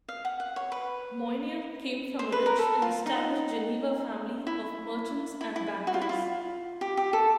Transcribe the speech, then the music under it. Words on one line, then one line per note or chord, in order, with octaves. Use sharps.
Moynier came from a rich and established Geneva family of merchants and bankers.
F5
F#5
F#5
C#5
B4
C5
B4
A#4
A4
F4
D#4
E4
E4
E4
F#4
F4
E4
F4
G4
G4
A4